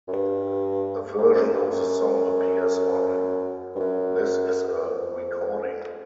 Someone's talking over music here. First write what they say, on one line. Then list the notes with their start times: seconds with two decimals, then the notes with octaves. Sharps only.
A version of the song appears on "This Is a Recording".
0.07 F#2
0.13 G2
1.17 G#2
1.35 F#2
1.53 G2
1.70 F#2
3.75 G2
3.79 F#2
4.84 F2